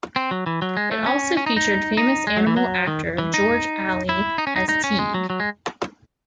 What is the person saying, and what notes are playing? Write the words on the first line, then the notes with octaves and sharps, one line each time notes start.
It also featured famous animal actor George Ali as Tige.
C4
F#3
E3
F#3
G#3
A3
C#4
C#4
D#4
D#4
D#4
G#3
F#3
E3
F#3
D#3
E3
D#4
E4
D#4
C#4
D#4
D#4
C#4
G#3
F#3
F#3
G#3